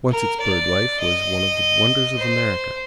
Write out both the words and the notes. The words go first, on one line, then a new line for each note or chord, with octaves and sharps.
Once its bird life was one of the wonders of America.
A#4
D5
D#5
C5